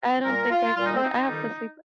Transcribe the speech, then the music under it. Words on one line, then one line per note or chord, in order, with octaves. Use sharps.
I don't think I could. I have to sleep
A#2 G3 A#4
F4
A#2 G3 F4
D#4
C4
D#4
F2 D#3 G3